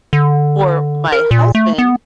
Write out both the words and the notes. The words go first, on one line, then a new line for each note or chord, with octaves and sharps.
for my husband,
D3
A#4
A#2
A3
B3